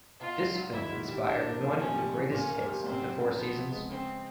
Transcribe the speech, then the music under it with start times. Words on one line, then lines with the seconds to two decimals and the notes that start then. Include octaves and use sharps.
This film inspired one of the greatest hits of The Four Seasons.
0.20 B2 F4
0.38 C#2
0.55 F#3
0.72 D#3 E4
0.90 G#2
1.08 G3
1.26 A2 D4
1.43 A#3
1.61 F3
1.78 C3 C#4
1.95 G3
2.14 E3
2.31 A#2 C#4
2.49 A#3
2.66 G3
2.84 F#2 C4
3.01 F#3
3.19 C#3
3.36 F3 B3
3.54 C4
3.72 G#3
3.89 C#3 C4